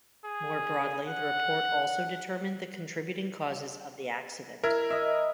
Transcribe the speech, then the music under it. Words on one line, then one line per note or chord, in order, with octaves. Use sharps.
More broadly, the report also determined the contributing causes of the accident.
G#4
F#5
E4 A#4
D#5 E5